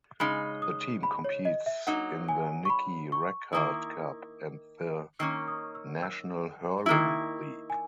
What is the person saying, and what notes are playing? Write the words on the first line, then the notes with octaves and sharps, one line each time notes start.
The team competes in the Nicky Rackard Cup and the National Hurling League.
C#3 G#3 D#4 B5
D#6
B5
C#5
D#5
E5
F#3 A#3 D#4 F#5
G#5
C#6
B5
C#6
D#3 A#3 E4 D#6
D#3 A#3 C#4 E6
D#6
E6
E6
D#3 A#3 E4
G#5